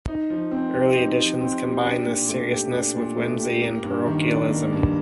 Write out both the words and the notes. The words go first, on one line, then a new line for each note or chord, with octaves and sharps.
Early editions combine this seriousness with whimsy and parochialism.
D#4
F3
C4
G4
D#4
F3
C4
G4
D4
A#2
A3
G4
D4
A#2
A3
G4
A#3
G2
D#3
D4
A#3
G2